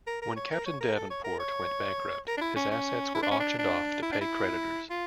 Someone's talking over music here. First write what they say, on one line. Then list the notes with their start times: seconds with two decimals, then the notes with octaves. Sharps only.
When Captain Davenport went bankrupt, his assets were auctioned off to pay creditors.
0.07 A#4
0.22 A#4
0.36 C#5
0.51 A#4
0.66 C#5
0.81 A#4
0.95 A4
1.10 C#5
1.24 A#4
1.39 C#5
2.27 A#4
2.37 D4
2.41 E4
2.56 C#4
2.71 C#4
3.14 E4
3.22 D4
3.31 C#4
3.40 D4
3.58 D4
4.02 E4
4.12 D4
4.21 E4
4.90 F4